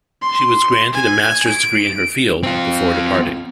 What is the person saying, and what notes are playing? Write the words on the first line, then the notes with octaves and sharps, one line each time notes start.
She was granted a master's degree in her field, before departing.
C6
G#5
D7
C4 F4